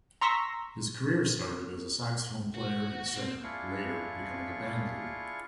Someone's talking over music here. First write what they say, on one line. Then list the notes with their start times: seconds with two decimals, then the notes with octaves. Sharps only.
His career started as a saxophone player and singer, later becoming a band leader.
0.21 A#5 C6 C#6 E6 A#6 B6
2.54 F#4
3.15 C4
3.43 D4 E4 F4 G#4 F5 C#6